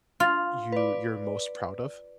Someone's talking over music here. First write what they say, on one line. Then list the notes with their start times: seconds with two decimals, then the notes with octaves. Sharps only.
you you're most proud of?
0.20 F4
0.72 B4 D5